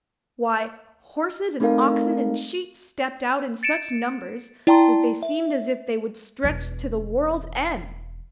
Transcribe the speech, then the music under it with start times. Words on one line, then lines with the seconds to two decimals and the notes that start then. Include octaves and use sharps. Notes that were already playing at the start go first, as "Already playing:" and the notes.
Why, horses and oxen and sheep stepped out in such numbers that they seemed as if they would stretch to the world's end!
1.60 A3 C4 D#4 A4 A#4 F5
3.63 A6 C#7 D7 E7
4.67 E4 D5 G5 A5 A#5 C6
5.23 E5
6.44 E1 E3